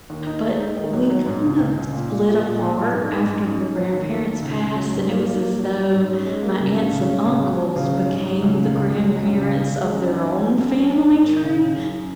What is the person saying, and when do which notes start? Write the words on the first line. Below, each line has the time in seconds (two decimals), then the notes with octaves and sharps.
But we kind of split apart after my grandparents passed, and it was as though my aunts and uncles became the grandparents of their own family tree,
0.10 D#2
0.27 D#4
0.44 G#3
0.60 D#4
0.77 D#3
0.93 F#3
1.10 F#3
1.26 G#2
1.43 C#2
1.60 C#2
1.76 C#2
1.93 A#2
2.10 A#2
2.26 A#2
2.43 A#2
2.59 A#2
2.76 A#2
2.93 G#2
3.10 G#2
3.27 G#2
3.43 F#2
3.60 C#4
3.76 F#3
3.93 D#2
4.09 A#3
4.27 D#2
4.42 C#2
4.59 C#2
4.75 F#3
4.93 G#2
5.09 A#3
5.26 A#3
5.43 A#3
5.59 F#3
5.77 F#3
5.93 G#2
6.10 C#4
6.26 G#3
6.42 A#3
6.60 C#2
6.76 C#3
6.92 C#3
7.09 C#4
7.25 C#3
7.43 F#3
7.59 F#3
7.76 C#3
7.93 F#3
8.09 G#2
8.26 F#3
8.42 C#2
8.58 C#3
8.76 C#2
8.92 C#2
9.08 F#3
9.25 C#2
9.41 C#3
9.58 C#3
9.76 G#3
9.92 F#2
10.09 D#4
10.25 F#2
10.42 F#2
10.58 F#2
10.75 C#4
10.92 D#4
11.09 G#2
11.25 D#3
11.42 C#3
11.59 C#3
11.75 F#2